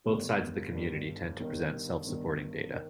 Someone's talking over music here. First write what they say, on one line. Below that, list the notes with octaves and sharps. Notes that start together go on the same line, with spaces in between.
Both sides of the community tend to present self-supporting data.
G1 G2 D#3
G1 G2 D#3
G1 G2 D#3
G1 G2 D#3
D#3